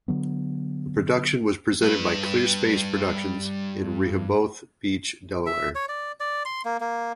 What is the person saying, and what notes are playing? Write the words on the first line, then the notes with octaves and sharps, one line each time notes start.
The production was presented by Clear Space Productions in Rehoboth Beach, Delaware.
D3 F#3 B3
G2 B4
E5
C#5
D5
D5
C6
A#3
A#3